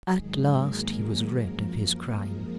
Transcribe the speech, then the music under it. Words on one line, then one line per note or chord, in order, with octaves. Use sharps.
At last he was rid of his crime.
G#2 D#3 F#3 G#3 G#4
A#3 A#4
A#3 A#4
F#2 F3
G#3 G#4